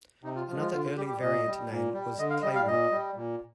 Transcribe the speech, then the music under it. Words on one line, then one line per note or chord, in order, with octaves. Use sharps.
Another early variant name was "Clayroot".
C3 D#4
F4
F3 G#3 F4
F4
D3 F4
F4
G3 G4
G4
A#2 D#5
G3
A#2
G3
D3 D#5
F5
G3 D#5
F5
A#2 D#5
G3
A#2